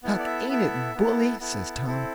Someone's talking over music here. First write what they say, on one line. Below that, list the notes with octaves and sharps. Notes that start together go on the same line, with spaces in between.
"Huck, ain't it bully!" says Tom.
B3 E4 A4
D5
E5
B3 E4 A4 E5
B3 E4 A4
B3 E4 A4
C4 E4 A4